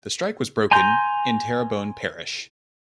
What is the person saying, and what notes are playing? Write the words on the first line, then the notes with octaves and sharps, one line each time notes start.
The strike was broken in Terrebone Parish.
G#5 A#5 C6 G6